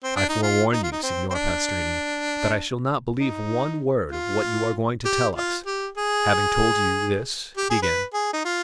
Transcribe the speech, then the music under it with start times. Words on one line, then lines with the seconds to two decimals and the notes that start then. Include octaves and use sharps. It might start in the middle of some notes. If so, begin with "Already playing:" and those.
"I forewarn you, Signor Pastrini, that I shall not believe one word of what you are going to tell us; having told you this, begin."
0.04 C4
0.16 D4
0.29 D#4
0.43 F4
0.73 D#4
0.83 F4
0.92 D#4
1.03 C4
1.31 C4
1.35 D4
3.20 D#4
4.12 F4
5.05 G4
5.36 F4
5.66 G4
5.98 G#4
7.57 G4
7.70 G#4
7.83 B4
8.14 G#4
8.33 D#4
8.45 F4